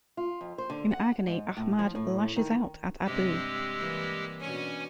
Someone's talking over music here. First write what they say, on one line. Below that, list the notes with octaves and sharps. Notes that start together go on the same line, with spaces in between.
In agony, Ahmad lashes out at Abu.
F4
F2
C5
D3
F#5
G#2
A2
F3
A2
D#3
G2 C3 G#3 G4 E6
E3 G3 A#3
B2 C#4 D4 C#5 G#5